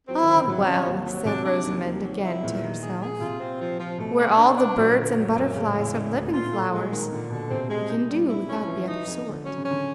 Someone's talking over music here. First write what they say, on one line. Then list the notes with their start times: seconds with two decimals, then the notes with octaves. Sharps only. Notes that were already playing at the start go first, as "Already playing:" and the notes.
"Ah, well!" said Rosamond again to herself, "where all the birds and butterflies are living flowers, we can do without the other sort."
0.08 F#3 C4
0.22 D#3
0.27 C4
0.35 D3
0.47 C3 F#3
0.66 C#4
0.86 D#2
1.06 F#3
1.25 C3 D4
1.45 D4
1.64 D#2
1.84 D#2
2.04 F#3
2.23 E4
2.43 E2 A#2
2.63 D#3
2.82 G#4
3.01 G#4
3.21 C3 F4
3.40 C4
3.59 F3
3.79 F3
3.98 B2 A3
4.18 D4
4.38 D4
4.58 D4
4.76 A#2 F#3
4.96 D3
5.16 F#2
5.35 F#2
5.54 A2 C#3
5.75 E2
5.94 C#3
6.14 D2
6.34 A#2 F4
6.53 A4
6.72 G#3
6.91 D#3
7.11 A#2 D3
7.30 B2 D3
7.50 C3 C4
7.69 G#3
7.89 D#4
8.09 G3
8.29 E4
8.48 C#4
8.67 E3 F3
8.87 D#4
9.07 F2
9.26 D3
9.45 F#3 C#4
9.58 C#3
9.65 C#4
9.71 D3